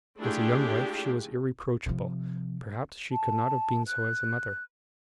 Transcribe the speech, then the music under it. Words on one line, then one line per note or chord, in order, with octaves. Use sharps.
As a young wife she was irreproachable; perhaps she could not have been so as a mother.
A3 D4 E4 F4 G4 G#4
C3 F3
A5
F#6